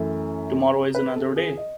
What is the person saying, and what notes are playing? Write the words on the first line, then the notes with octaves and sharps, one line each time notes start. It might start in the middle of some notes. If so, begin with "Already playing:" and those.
Tomorrow is another day.
Already playing: F#2 E3 A3 A4
B4
A4
G#4
D#5